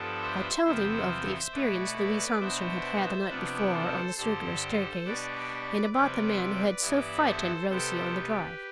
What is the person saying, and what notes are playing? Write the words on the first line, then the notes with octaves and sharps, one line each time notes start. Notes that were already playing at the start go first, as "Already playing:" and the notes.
I told him of the experience Louise Armstrong had had the night before, on the circular staircase, and about the man who had so frightened Rosie on the drive.
Already playing: G2 F3 B3 D4 A4
C5 E5
E2 C3 F3 C5 E5
B2 A3 E4 B4 D5
B4 D5
B2 B3 D4 C5 E5
C3 F3 B3 D4 B4 D5
A4 C5
G2 D3 G3 A4 C5
B2 G3 D4 B4 D5
C3 F3 C4 B4 D5
G2 E3 B3 E4
A4 C5
C3 G3 B3 A4 C5
G4 B4